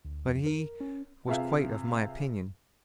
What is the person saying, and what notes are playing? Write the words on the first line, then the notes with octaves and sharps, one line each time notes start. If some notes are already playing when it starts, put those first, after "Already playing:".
But he was quite of my opinion.
D2
F2
A#4
C#4
C3 F4 G#4 B4 E5 F5